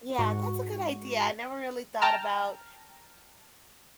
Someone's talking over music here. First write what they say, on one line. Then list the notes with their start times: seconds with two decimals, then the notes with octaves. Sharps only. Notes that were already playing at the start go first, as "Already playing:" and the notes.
Yeah. That's a good idea. I never really thought about
0.19 G#2 F#4 C#6
2.02 G5 A5 A#5 F6